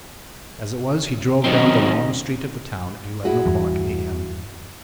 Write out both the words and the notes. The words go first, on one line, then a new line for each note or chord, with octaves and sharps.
As it was, he drove down the long street of the town at eleven o'clock A.M.
D#3 F#3 C4 C#4 D#4
E4 F#4 G#4
E2 G2